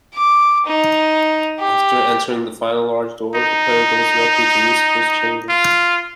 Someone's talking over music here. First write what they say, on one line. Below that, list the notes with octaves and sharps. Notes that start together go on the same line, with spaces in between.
After entering the final large door, the player goes directly to Lucifer's chamber.
D6
D#4
G4
D#4
F4